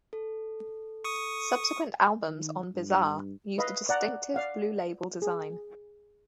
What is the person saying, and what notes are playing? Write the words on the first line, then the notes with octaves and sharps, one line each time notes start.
Subsequent albums on Bizarre used a distinctive blue label design.
A4
C#6 D#6
D#3
G2
B4 D#5 F5 B5
D5 F#5 A#5
D5 F5 F#5
G#4